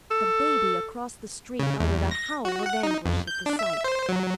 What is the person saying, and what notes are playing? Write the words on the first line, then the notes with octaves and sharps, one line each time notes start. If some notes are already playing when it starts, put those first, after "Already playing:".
The baby across the street uttered a howl of anguish at the sight.
A4
C#3
E2
A#6
F#4
F#5
D#4
F2
G6
D4
E5
C5
F#3